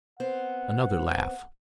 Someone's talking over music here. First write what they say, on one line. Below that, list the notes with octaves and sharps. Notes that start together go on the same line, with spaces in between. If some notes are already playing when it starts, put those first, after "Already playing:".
Another laugh.
B3 C4 C5 F#5